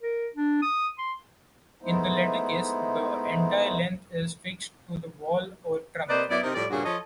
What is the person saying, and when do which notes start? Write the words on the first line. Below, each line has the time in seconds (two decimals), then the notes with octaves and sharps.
In the latter case, the entire length is fixed to the wall or trunk.
0.02 A#4
0.36 D4
0.62 D#6
0.98 C6
1.82 G#3 A3 B3 D#4 E4 C5
6.09 C3 A#3 B4 C5 D5 D#5
6.30 F#2 B3 E4 D5
6.43 C3 D#4 A#4
6.55 A2 F3 G3 D5
6.70 G2 A#2 C#3 C#4 F#4 G#4
6.85 F3 A4 C#5 D#5